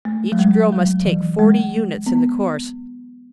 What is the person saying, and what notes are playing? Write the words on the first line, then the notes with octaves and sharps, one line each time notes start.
Each girl must take forty units in the course.
A3
F#3
G#3
F#3
E3
G#3
B3